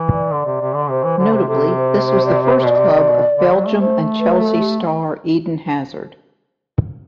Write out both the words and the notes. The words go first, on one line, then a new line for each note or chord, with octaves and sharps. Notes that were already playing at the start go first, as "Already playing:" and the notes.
Notably, this was the first club of Belgium and Chelsea star Eden Hazard.
Already playing: E3
D5
D3
C3
C3
D3
C3 C5
E3
D3
C3
C3 A4
C5
C5
D5
C5
B2 D5
C3
C3
B2
D3
F#3
A3
A3 C5
B4
A4
G4